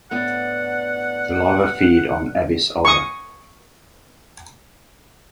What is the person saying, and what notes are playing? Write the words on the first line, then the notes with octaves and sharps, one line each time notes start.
The larvae feed on "Abies alba".
A2 B3 D4 F#5
C#6 D#6